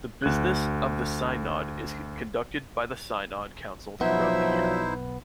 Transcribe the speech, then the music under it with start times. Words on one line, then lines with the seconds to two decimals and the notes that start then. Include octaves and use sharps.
The business of the synod is conducted by the synod council throughout the year.
0.22 D2 F#6
4.01 B1 F3 F#3 B3 D#4 E4 C5 E5